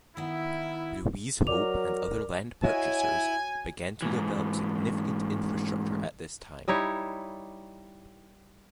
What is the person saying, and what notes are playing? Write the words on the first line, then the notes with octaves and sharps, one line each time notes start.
Louis Hope and other land purchasers began to develop significant infrastructure at this time.
D#3 B3 E4
F#3 A#4 D5 D6 F7
E4 F#4 C#5 D#5 G#5
G#2 E3
G3 D#4 E4 C#5